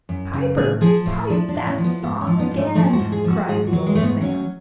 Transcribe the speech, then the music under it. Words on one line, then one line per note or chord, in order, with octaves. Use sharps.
"Piper, pipe that song again!" cried the old man.
F#2
C#3
A2 G#4
F3 G#4
A2 F4
F3 D4
D4
A2
C#4
F3
B3
G#2 B3
C#4
F3
B3
G#2
A3
F3 A3
F#4
G#2
G#4
F3
F#4
G#2 G#4
F#4
F#3
G#3
G#2 A3
B3
F#3 C#4